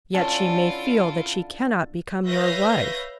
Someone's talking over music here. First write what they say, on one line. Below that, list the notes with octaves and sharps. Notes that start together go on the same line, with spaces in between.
Yet she may feel that she cannot become your wife.
D3 C#4 E4 F4 A5
B4 C#5 E5 F5 G6 A#6